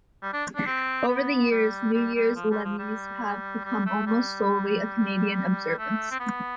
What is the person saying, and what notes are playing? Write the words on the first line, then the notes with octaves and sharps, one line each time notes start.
Over the years, New Year's levees have become almost solely a Canadian observance.
G3
D4
D4
C4
B3
G3
G3
G3
F3
G3
F3
G3
G3
A3
G3
A3
C4
B3